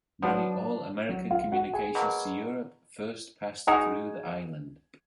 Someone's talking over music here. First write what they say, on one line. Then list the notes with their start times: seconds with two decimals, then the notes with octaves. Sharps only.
Nearly all American communications to Europe first passed through the island.
0.22 F3 F#3 B3 D4 F#4
1.09 F#3 F#4
1.31 F4 F5
1.52 F#4 F#5
1.73 G#4 G#5
1.95 B2 F#3 A#3
3.67 G#3 D#4 F#4 G#4 G#5